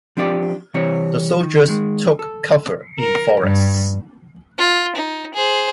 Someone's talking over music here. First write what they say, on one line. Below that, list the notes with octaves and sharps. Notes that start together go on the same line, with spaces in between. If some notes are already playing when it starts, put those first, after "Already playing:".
The soldiers took cover in forests.
F3 C4 D4 G4 D5
C3 E3 G3 C4 C#5
D#3
D#3 G#3
A4
A#4
G2
F4
D#4
G#4 C5